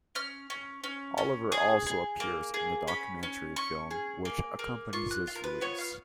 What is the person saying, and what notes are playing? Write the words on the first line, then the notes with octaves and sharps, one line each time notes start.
Oliver also appears in the documentary film which accompanies this release.
C#4 F6
C#4
C#4
C#4
G#4 D#6
G#4
A#3
G#4
C#4 B5
C#4
C#4 C#6
G#4
A#3
A#3
F4 C#6
F#6
F4
A#4
B4
B3 C#5
F5